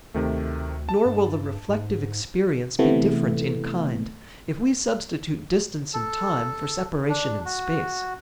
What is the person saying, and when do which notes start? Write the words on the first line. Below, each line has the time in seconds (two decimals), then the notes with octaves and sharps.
Nor will the reflective experience be different in kind if we substitute distance in time for separation in space.
0.14 D2 C3 D#3 A3
0.89 A5
1.05 G2
1.69 G#2
2.79 C3 E3 A3 B3
5.94 A4
7.09 D4
7.45 F#4